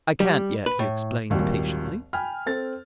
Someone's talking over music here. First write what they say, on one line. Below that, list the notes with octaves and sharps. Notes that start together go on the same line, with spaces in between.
"I can't yet," he explained, patiently.
G3
B4
A2
G#1 D#2 A#2 F#3 G3
G5 G#5 B5 F6
C4 A4 A6